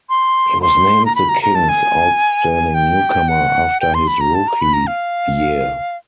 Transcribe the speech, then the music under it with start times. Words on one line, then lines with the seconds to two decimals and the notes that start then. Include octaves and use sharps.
He was named the Kings outstanding newcomer after his rookie year.
0.10 C6
0.62 C6
1.06 A#5
1.15 B5
1.29 A#5
1.43 A#5
1.55 A5
1.69 G#5
2.74 G5
3.28 F#5
3.80 G5
3.94 C6
4.07 B5
4.21 A#5
4.35 A5
4.48 A#5
4.61 B5
4.74 A#5
4.87 F5